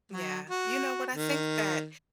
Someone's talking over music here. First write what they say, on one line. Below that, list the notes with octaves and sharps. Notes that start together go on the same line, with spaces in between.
Yeah. You know what, I think that
F#3
F#4
D#3